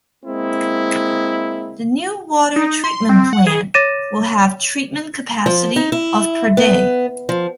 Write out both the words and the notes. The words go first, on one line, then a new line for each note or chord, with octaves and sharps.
The new water treatment plant will have treatment capacity of per day.
G#3 A#3 C4 E4
D#4
C6
C4
F#5
G#4
C#5 D6 A6 A#6 D#7 E7
F3
D#4
E4
B3
F3